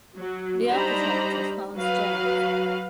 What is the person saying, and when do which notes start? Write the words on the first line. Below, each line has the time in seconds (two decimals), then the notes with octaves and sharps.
The architect was Hans James.
0.17 F#3
0.69 G3 D4 D#4 C5 A#5 B5
1.74 F#3 F#4 B4 F5